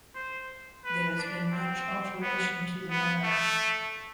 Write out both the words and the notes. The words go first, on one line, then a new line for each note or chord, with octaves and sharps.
There has been much alteration to the manor.
C5
B4
D4
C4
B3
B3
A3